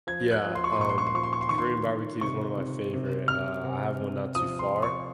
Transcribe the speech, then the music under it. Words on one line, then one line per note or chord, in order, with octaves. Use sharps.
Yeah, um, Korean barbecue is one of my favorite, uh, I have one not too far
F3 G#6
F#6
F3
C6
C#6
C6
A#2 C#6
C6
C#6
C6
F3 C#6
C6
C#6
C6
D#3 C#6
C6
D#3
C3 C#6
C3
C3
C3 F6
C3
C3
F3 D#6
C6
F3
C#6